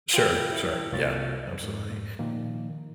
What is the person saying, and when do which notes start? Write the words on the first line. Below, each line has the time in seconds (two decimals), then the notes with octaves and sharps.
Sure, sure, yeah, absolutely.
0.14 F4 B4 G5
0.53 E4
0.92 C2 A#3 F4 C#5 A6
1.59 F2 G#2
2.19 A#2 D#3 F3 A#3